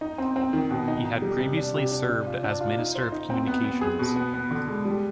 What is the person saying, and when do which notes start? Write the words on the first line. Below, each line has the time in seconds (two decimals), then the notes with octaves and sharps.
He had previously served as Minister of Communications.
0.01 D#4
0.18 C4
0.36 C4
0.53 D#3
0.71 B2
0.88 D#4
1.05 D#4
1.22 G3
1.39 C3
1.57 D4
1.75 C3
1.91 D4
2.09 D4
2.27 F4
2.43 D4
2.61 F4
2.79 D#4
2.95 C5
3.12 D#4
3.30 C4
3.47 B3
3.65 B3
3.81 G#4
3.99 B2
4.16 B3
4.34 B3
4.51 D3
4.68 G#3
4.85 G3